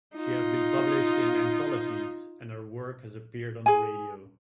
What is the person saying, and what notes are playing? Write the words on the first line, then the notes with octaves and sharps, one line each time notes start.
She has been published in anthologies and her work has appeared on the radio.
D#4 F4
G#4 G#5